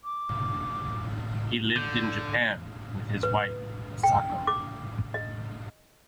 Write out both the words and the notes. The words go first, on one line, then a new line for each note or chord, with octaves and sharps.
He lived in Japan with his wife Asako.
D6
D3 G6
B4
G5
D6
D#5